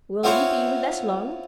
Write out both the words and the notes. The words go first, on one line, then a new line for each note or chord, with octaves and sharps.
"Will you be with us long?"
B3 C4 E4 F4 C5 C#5